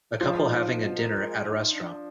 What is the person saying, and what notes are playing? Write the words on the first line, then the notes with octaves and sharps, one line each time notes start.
A couple having a dinner at a restaurant.
F3 G#3
D#4
B2
A#4
G#3
D#4
D4